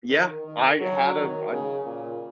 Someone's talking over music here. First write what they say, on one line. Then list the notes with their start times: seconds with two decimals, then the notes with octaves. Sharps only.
Yeah, I had a I d
0.10 D#3
0.46 D#3
0.80 F#3
1.16 D#3
1.52 C#3
1.86 A#2